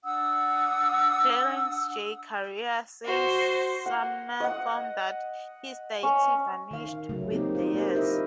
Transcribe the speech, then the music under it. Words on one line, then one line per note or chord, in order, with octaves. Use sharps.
Clarence J. Karier says, Sumner found that his deity vanished with the years.
D4 F#5 D#6 E6
F#4 C5
F#5
D#5 F#5
C#4
D#3 F5
C#3 F#3 A3
A#3 C4 D#4 G4
D#4 F4
A#3 G4 A#4 C5
D#4 E4 A#4 D#5 E5